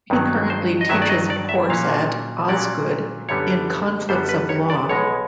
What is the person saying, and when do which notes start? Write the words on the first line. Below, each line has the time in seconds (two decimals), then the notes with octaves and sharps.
He currently teaches a course at Osgoode in conflicts of law.
0.10 G2 D#3 F#3
0.50 C5
0.81 D#5
0.89 G2 D#3 F#3 E5
1.02 D5
1.09 D#5
1.30 D5
1.49 E5
1.69 A#2 F#3 A#3 C#4 F5
2.49 A#2 F#3 A#3 C#4 D5
3.29 F#2 D3 G3 B3 C#5
4.09 F#2 D3 G3 B3 C5
4.29 B4
4.49 C#5
4.70 D5
4.89 B1 B2 G#3 C#5